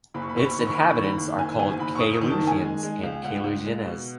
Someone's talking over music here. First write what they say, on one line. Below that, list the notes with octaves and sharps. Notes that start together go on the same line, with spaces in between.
Its inhabitants are called Caylusiens and Caylusiennes.
F#1 B5
C#6
B5
F#1 C#6
B5
C#6
D#3 B5
C#6
B5
F#1
C#6
B5
D#3 C#6
B5
F#1
D#3 G#5
F#1 G#5
F#1 B5
C#6
F#1 D#6
C#6
D#3
A5
D#3
G#5
G#3
G#3
C#2
C#2 F#5
C#2
G#3
B2